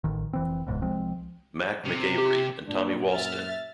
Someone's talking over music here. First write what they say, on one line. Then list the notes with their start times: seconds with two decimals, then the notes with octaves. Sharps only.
"Mac" McAvery and Tommy Walston.
0.04 A1 D#3
0.33 F1 E3 C4
0.67 D1 C#2 G#2 B2
0.82 C2 F3 G#3 C4
1.85 C3
2.18 G4
2.67 A#2 D4
3.12 F#2 E5 F6 A6